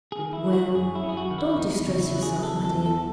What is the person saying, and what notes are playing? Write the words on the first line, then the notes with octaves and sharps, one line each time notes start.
'Well! don't distress yourself, my dear.
G#4
D#3
E4
F#3
F#4
F#2 G#4
E4
C#4
G#4
F#4
D#3
E4
E2 D#4
C#3
E4
F#3
G#4
E2 A4
A4
E2
A4